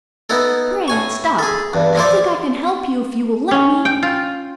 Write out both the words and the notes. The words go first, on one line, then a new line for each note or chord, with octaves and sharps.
"Pray, stop; I think I can help you if you will let me."
B3 D#4 E4 A4
A2 G#5 C#6
G#4 A4
E2 G2
F3 E4 C5 D5
C#4
G5
F4